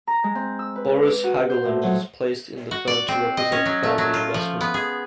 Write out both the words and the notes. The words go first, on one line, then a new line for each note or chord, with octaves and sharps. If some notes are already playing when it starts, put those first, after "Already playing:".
Boris Hagelin was placed in the firm to represent the family investment.
A#5
G#3
C4
E6
B4
D6
F#4
C5
A2
F#3
F#4
D5
C4
D#5
C#4
F#3
A3
F#3
F4
F3
B3
G#4